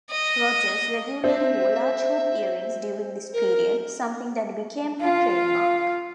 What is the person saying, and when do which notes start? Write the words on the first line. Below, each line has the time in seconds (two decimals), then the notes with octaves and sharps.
Rogers regularly wore large hoop earrings during this period, something that became her trademark.
0.11 D#5
1.24 C4 E5
3.33 A#4
5.01 F4 F5